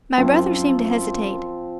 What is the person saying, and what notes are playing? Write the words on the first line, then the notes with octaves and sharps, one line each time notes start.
My brother seemed to hesitate.
F#2 F3 C4 F4